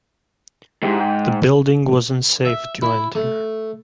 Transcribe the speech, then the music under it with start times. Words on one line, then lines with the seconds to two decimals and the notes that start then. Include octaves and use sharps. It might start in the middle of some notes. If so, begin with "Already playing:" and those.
The building was unsafe to enter.
0.82 D#2 G#2 G#3 E4 G4
1.01 G5
2.45 E5
2.82 E4
3.15 A3